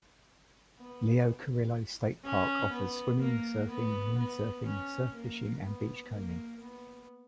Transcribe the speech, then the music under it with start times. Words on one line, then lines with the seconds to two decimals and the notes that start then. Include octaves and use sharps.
Leo Carrillo State Park offers swimming, surfing, windsurfing, surf fishing, and beachcombing.
0.79 B3
2.24 C#4
2.71 B3
3.21 A#3
3.69 B3
4.18 B3
4.66 C#4
5.15 A#3
5.63 B3
6.12 A#3
6.60 B3